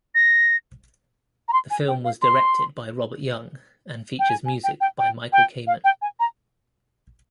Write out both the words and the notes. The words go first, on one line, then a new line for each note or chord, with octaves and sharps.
The film was directed by Robert Young, and features music by Michael Kamen.
A#6
A#5
C6
G#5
G5
F5
C6
G5
G#5
G#5
G5
G5
G5
G5
F5
G5
G#5
A#5